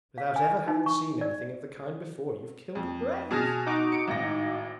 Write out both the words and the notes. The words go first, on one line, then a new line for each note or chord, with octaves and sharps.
Without ever having seen anything of the kind before, you've killed a brave!'
F5
G#5
D#4
C#6
D5
F2
B2 G#4 A5 D#6 F6 A#6
D#4 F#4 D6
C#7 D7
G#1 A2 A#6